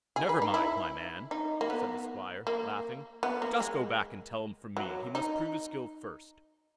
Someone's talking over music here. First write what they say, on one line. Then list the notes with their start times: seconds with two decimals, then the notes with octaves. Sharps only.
'Never mind, my man', said the Squire, laughing; 'just go back and tell him from me, he must prove his skill first.
0.16 G#4
0.29 B4
0.42 D#4
0.54 E4
1.31 D#4
1.61 A#3
1.70 B3
2.47 A#3
3.23 B3
3.42 A#3
3.60 G#3
4.77 F#3
5.15 D#4